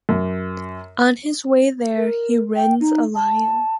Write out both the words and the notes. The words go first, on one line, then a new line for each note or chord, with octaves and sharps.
On his way there, he rends a lion.
F#2
A#4
G5
D#4
A5